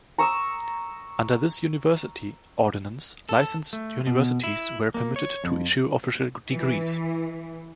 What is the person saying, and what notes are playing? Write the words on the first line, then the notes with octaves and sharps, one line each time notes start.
Under this University Ordinance, licensed universities were permitted to issue official degrees.
A#5 C#6 D#6 E6
A4
A3
B2
E4
A#3
C#5
F2
E3